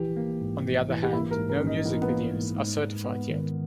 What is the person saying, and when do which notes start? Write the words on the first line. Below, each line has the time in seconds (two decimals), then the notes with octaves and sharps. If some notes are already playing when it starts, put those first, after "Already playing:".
On the other hand, no music videos are certified yet.
Already playing: A#1 E3 G4
0.17 A#3
0.41 G#2
0.65 A#1
0.89 E3
1.03 G4
1.13 A#3 E4
1.31 A#4
1.37 G#2
1.49 A#4
1.60 A#1 C#4
1.67 D#4
1.85 E3 B3
1.94 A#3
2.02 B3
2.08 A#3
2.33 G#2
2.57 G#2
2.81 G#3
3.04 B3
3.29 D#3